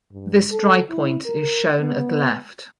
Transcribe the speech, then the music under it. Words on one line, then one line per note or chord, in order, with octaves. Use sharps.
This drypoint is shown at left.
G2
A4
E4
A#4
B3